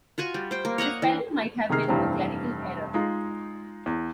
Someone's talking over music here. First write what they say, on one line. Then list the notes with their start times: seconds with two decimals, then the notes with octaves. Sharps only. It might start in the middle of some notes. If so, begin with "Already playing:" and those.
This spelling might have been a clerical error.
0.18 F4 F#4 G#5 C#6
0.34 G3
0.51 C5 G5
0.65 A#3
0.78 C#5 D#5 F#5 A#5
1.02 E3
1.70 C3 D#3 D#4 G#4 F6 C7
1.88 F1 G2 E3 G3 C4
2.94 G#3 D#4 F4
3.86 E2